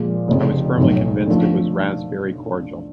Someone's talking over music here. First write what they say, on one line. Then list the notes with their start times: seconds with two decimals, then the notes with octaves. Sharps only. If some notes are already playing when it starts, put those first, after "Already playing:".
I was firmly convinced it was raspberry cordial.
Already playing: A#2 F3 G#3
0.28 F1 F2 C#3
0.77 B1 A2 F#3
1.27 D3 F3 A3